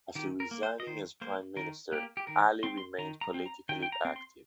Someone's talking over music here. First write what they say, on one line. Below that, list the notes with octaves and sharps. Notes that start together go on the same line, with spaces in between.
After resigning as prime minister, Ali remained politically active.
D#3 G4
A#4
A#3
C5
D#5
D#3 C5
A#3 C5
D#3 A#4
A#3 G4
G4
D#3 A#4
C4 C6
C6
D#3 A#5
A#5
C4
A#5
D#3 G5
G5
A#5
C4
C6